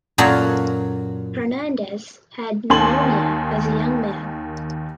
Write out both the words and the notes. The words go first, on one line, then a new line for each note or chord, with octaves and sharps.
Hernandez had pneumonia as young man.
F#2 A#2 F#3 F#4 A4 F5
D#2 D#3 G#5 A5 C6 F#7